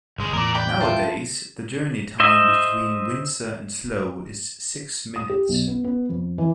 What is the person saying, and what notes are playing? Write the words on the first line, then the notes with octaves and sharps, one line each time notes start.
Nowadays, the journey time between Windsor and Slough is six minutes.
G1 C#2 G#3
E2 A2 A#4 D5
B4 D5 G5 B5
E4 F4 A5
C5 D#5 E5
D#6
G4
B1
B3
B3
F2
E3